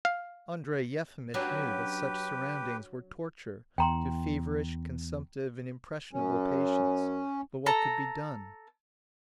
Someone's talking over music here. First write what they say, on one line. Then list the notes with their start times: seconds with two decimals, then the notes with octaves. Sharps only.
Andrey Yefimitch knew that such surroundings were torture to feverish, consumptive, and impressionable patients; but what could be done?
0.05 F5
1.34 F#3 C#4 D4 G4 B4
3.78 E2 G5 A#5 C6
6.13 F#2 C#4
7.66 A4 A#5